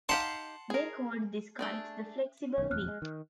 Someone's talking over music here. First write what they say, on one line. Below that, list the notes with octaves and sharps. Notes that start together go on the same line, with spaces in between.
They called this kite the "flexible wing".
D#4 G4 F5 F#5 A5 C6
G#4 A#4
A3 D4 G#4
B1 D#3 C#5
D#1 F2 F6 F#6
G#3
D#3